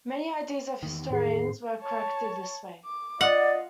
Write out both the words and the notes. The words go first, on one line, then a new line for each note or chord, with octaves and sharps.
Many ideas of historians were corrected this way.
E2 D#3
A2 G#4 C7
C#5 A5
D6
F4 D5 D#5 F#5